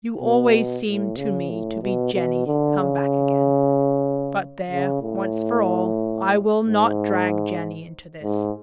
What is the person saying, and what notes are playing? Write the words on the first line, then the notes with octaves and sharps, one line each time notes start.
You always seemed to me to be Jenny come back again; but there, once for all, I will not drag Jenny into this.
B2
A2
C#3
A2
B2
B2
D3
C#3
C#3
A2
G#2
G#2